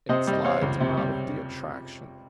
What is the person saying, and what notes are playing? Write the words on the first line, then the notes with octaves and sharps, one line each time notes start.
"It slides 'em out of the attraction."
C3 C5 D#5
G3
D#5
C4 C#5 F5
C#2
C3
G3